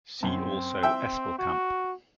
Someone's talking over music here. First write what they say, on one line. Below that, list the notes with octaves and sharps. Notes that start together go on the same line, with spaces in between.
See also Espelkamp.
F#2 C4
E5 G5 E6
F#4